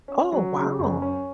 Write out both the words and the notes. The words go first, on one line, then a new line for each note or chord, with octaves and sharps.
Oh, wow.
C#4
F#3
C#3
F#2
C#4